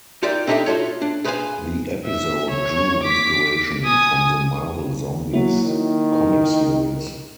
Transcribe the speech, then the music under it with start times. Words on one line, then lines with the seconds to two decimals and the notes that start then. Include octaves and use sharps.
The episode drew inspiration from the "Marvel Zombies" comic series.
0.23 D#4 F4 G4 A#4 D5 E5
0.47 C4 D4 D#4 G4 A4 E5
0.66 F4 F#4 A4 C#5
1.02 D4
1.25 G#4 B4 C5 D#5 F5 G#5
2.06 E5
2.51 C#5
3.03 D6 B6
3.85 G#5 D#6
5.33 F#3 A#3 E4
5.66 D#3